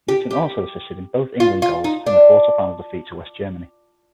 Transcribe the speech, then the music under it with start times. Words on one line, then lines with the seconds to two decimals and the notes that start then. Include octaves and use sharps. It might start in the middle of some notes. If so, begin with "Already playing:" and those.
Newton also assisted in both England goals in the Quarter-Final defeat to West Germany.
0.09 G4
0.31 G4
1.40 F4
1.62 F4
1.84 D#4
2.07 D4